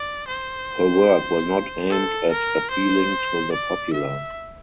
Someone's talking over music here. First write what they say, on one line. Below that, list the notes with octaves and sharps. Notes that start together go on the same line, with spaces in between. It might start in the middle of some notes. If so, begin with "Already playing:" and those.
Her work was not aimed at appealing to the popular.
Already playing: D5
C5
A4
A#4
C5
D5
E5